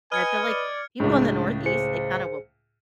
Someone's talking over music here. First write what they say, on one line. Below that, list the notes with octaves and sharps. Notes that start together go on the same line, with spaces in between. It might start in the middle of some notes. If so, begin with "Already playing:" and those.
and I feel like people in the Northeast, they kind of will
B4 D#5 G#5 F6 G#6 C#7
D5
C#2 A2 G#3 C#4 D4 G#4
G#4 C5 C#7